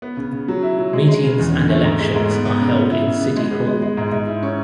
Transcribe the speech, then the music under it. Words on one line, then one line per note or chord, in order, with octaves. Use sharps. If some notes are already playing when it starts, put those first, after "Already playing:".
Meetings and elections are held in city hall.
B3
C#3
C#3
F#3
E4
F#3
G#3
G#3
C#3
E2
D3
A3
G#2
G#3
G#2
B3
B3
C#3
B3
E4
C#3
B3
G#3
B3
G#3
G#3
G#2
G#2
E4
C#4